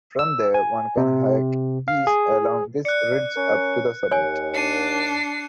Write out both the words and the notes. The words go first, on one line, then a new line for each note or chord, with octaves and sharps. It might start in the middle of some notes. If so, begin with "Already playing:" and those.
From there, one can hike east along this ridge up to the summit.
E6
G#5
C3
F5
G#4
D5 F#6 C#7
C#4 A#4
D#2 C#5 G#5
D4 C7 C#7 D#7